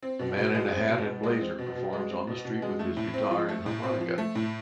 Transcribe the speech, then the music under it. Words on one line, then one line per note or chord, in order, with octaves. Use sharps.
A man in a hat and blazer performs on the street with his guitar and harmonica.
C4
B2
B2
G#3
C4
B2
B2
G#3
C4
B2
B2
G#3
C4
B2
B2
G#3
A3
A2
C4
F3
A3
A2
C4
F3
A3
A2